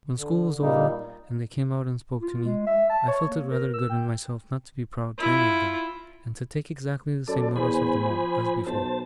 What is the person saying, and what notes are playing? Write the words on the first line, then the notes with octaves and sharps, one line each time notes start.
When school was over, and they came out and spoke to me, I felt it rather good in myself not to be proud to any of them, and to take exactly the same notice of them all, as before.
D3
A#2 G3 A#3 D#4
F4
G#3
E5
A5
C#5
A#3
A#4
E6
G5
E4 F4
F#2 A4 D5
E2 C5 G#5 B5
F3
B1 C5 A5